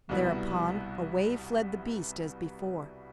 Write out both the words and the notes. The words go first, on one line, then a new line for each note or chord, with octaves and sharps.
Thereupon away fled the beast as before.
C2 B2 G3 B3 E4